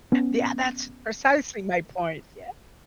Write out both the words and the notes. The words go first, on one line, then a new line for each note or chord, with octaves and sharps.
Yeah. That's precisely my point. Yeah
B3 C#4